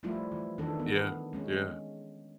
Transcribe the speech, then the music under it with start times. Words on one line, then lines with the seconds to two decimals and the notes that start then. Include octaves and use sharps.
Yeah, yeah.
0.03 F3 G3 A3 E4 F4
0.32 E3
0.58 D#3 E3 D4 A4
0.80 B3
1.33 G#3 C#4